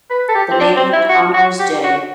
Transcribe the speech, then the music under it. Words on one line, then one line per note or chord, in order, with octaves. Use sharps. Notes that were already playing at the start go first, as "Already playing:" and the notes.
The naming honors J.
B4
A4
G4
C4
D4
C4
E4
F#4
F#4
G4
F#4